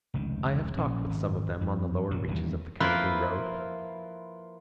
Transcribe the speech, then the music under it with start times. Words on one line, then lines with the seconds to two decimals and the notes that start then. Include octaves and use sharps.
I have talked with some of them on the lower reaches of the Cariboo Road.
0.14 F1 C#2 D#3
0.77 A#1 A#2 F3 C#4
1.09 G#1
1.61 F2
2.11 D#1 F#2 F3 F#3
2.28 E1 D#2 E3 G3
2.80 F3 A#3 E4 F4 B4 C5